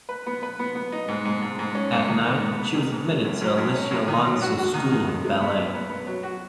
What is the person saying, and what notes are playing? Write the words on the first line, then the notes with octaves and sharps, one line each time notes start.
At nine, she was admitted to the Alicia Alonso School of Ballet.
B4
B3
B4
B3
B3
D#4
G#2
G#2
G#2
G#2
C#4
G#2
D#3
G#2
G#2
B3
D#3
G#2
F#3
F#2
F#2
F#2
C#4
F#2
D#3
F#3
F#4
F#4
D#3
D#3
F#2
G#3
B3
F#2
B3
B3
F#3
F#4